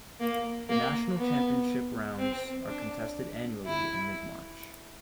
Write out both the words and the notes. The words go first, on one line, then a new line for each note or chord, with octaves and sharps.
The national championship rounds are contested annually in mid-March.
A#3
A#3
B3
C4
D4
E4